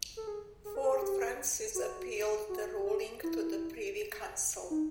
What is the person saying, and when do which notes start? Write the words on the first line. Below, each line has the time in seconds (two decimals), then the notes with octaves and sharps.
Fort Frances appealed the ruling to the Privy Council.
0.17 A4
0.27 G#4
0.65 G#4
0.75 A#4
0.84 A4
0.93 G#4
1.02 G4
1.75 F#4
2.49 F#4
2.85 G4
3.23 E4
4.70 D#4